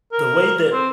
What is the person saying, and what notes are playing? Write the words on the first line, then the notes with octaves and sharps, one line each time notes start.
the way that
A#4
C4